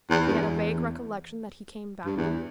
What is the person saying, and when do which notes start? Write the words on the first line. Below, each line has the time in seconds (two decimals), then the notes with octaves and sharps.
She had a vague recollection that he came back.
0.10 E2
0.27 G2
0.34 E2
2.06 G2
2.17 E2